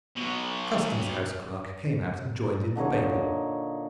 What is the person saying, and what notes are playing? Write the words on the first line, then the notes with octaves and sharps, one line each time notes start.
A Customs House clerk came out and joined in the babel.
B2 F#3
A#2 D3 D#4 C#5